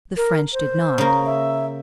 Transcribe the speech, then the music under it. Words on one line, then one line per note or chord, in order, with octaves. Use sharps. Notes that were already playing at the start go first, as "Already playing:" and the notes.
The French did not.
A#4
C5
C#3 A#3
E5